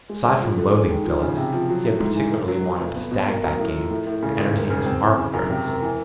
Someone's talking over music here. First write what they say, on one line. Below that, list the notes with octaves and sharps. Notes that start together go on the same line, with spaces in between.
Aside from loathing Phyllis, he had particularly wanted to stag that game and entertain some Harvard friends.
G#3
G2
F3
D3
G#3
D#3
F3
C#3
C3
F3
F#3
A2
G#2
E3
F1
F#3
F2
F1
B3
B2
A#3
F#2
A2
F3
A2
A2
C#3
G#1
E1
C#3
C4
E3
C#3
F#2
C3
E1
E3